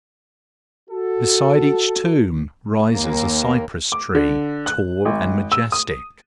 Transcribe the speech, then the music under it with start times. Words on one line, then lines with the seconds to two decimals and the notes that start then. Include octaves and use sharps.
Beside each tomb rises a cypress tree, tall and majestic.
0.90 F#4 A4
2.92 D#2 A#3
3.92 D6
4.15 D3
4.66 F#6
5.05 G#1
5.52 E6
5.72 D#6